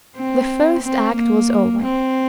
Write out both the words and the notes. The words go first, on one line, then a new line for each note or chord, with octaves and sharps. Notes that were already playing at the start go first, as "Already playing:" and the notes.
The first act was over.
C4
C4
A#3
C4